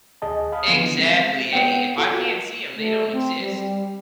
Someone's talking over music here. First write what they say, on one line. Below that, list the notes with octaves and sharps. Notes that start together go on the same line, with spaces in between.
exactly! Hey, if I can't see 'em, they don't exist.
D2 G#4 D#5 A5
F5 B5 D#6
D3 E3 F3 B3
G#3 C4
B3 F#5 G5
F4 F#4 A4
A3
C4
G3
G3